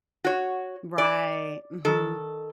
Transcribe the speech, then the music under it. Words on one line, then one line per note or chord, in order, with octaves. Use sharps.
Right, mhm.
F#4 C#5
D5
D#3 A4